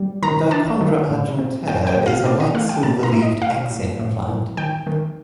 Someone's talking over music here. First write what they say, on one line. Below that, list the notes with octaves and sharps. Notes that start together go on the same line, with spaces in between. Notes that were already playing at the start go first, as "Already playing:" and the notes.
"Dichondra argentea" is a light silver leaved accent plant.
Already playing: G3
D#3 A#5
D4 A5
D#3
A2
C4
A2 G5
G5
A2
F5
D4 D5
D#5
A3 F5
G5
A#2 A5
A#5
A3
D#5
A2 F5
A2
A2
A2
D#3 G5
D#3